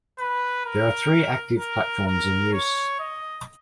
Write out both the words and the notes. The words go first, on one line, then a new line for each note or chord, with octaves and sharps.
There are three active platforms in use.
B4
A#4
A#4
A#4
C#5
D#5